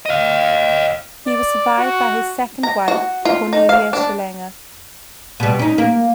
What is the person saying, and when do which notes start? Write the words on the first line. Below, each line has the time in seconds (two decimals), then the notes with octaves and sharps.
He was survived by his second wife, Cornelia Schellinger.
0.06 D#5 F5
1.27 D5
1.78 F#4
2.63 A#5
2.88 F#4
3.25 F4
3.53 D#4
3.69 F5
3.93 D4
5.40 B2 G3
5.59 C#4 D#4
5.78 A#3